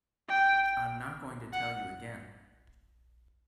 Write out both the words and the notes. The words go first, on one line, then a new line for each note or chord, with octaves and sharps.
I’m not going to tell you again.
G5
F#5